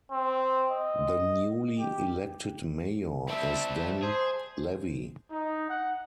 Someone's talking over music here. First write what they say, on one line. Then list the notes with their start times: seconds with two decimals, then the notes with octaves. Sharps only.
The newly elected mayor is Dan Levy.
0.12 C4
0.71 D#5
1.80 G4
3.29 G3 C4 E5 A5
4.03 G#4 C5
5.31 D#4
5.68 F#5